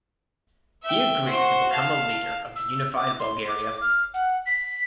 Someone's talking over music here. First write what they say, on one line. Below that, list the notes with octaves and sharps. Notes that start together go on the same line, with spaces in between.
He agreed to become a leader of the Unified Bulgaria.
E5 G5
F#4 C5
F5 A5
E6
D6
C6
D6
F6
F#5
B6